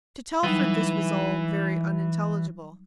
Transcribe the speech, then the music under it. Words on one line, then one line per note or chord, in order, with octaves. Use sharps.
To Telford this was all very unintelligible.
E3 F#3 G3 D#4